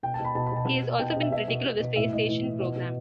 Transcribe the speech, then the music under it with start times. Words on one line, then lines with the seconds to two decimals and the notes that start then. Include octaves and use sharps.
He has also been critical of the space station program.
0.03 B2 G5
0.14 A5
0.20 B2
0.25 B5
0.35 B2 A5
0.47 B5
0.52 B2 A5
0.68 B2
0.84 B2
0.99 B2 G5
1.10 D#5
1.16 B2 E5
1.31 B2 E5
1.48 B2
1.65 B2
1.80 B2
1.96 A2 E5
2.13 A2 D#5
2.28 E3
2.44 E3
2.60 B2
2.76 B2